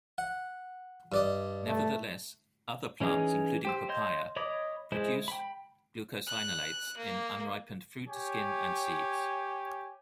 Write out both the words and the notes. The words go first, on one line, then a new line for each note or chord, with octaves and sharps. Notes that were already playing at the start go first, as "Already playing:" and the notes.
Nevertheless, other plants, including papaya, produce glucosinolates in unripened fruit, skin and seeds.
F#5
G2 D5 D#5
A3
E3 C#4 D#4 G#4
G4 C5 E6
C#5 D#5 C6 G6
C#5 D#5 B5 D6 D#6
G#3 E4 C5
G5 B5
F#6
A#3
G4 C#5 G#5